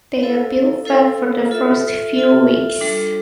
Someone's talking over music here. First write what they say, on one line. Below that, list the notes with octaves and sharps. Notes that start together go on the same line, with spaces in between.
They are bill fed for the first few weeks.
E4 A4 C5 F5
E4 A4 C5 F5
F4 A4 E5
F4 A4 E5
G3 D4 F4 A4